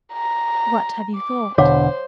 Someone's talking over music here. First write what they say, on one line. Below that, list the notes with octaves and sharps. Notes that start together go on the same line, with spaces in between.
"What have you thought?"
A#5
D6
E1 B2 D3 C5 C#5 F5 D6